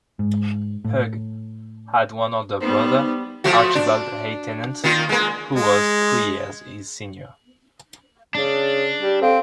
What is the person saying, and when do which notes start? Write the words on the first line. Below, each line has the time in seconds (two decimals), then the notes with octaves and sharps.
Hugh had one older brother, Archibald Hay Tennent, who was three years his senior.
0.19 G#2
0.85 A2
2.61 G3 B3 D#4 C5
3.44 F3 A3 F#4
3.75 D4
4.84 D#3 A#3 F4
5.09 G#3 A#3
5.55 G#3
8.35 C#3 D4
9.01 G3
9.21 C4 A4 F5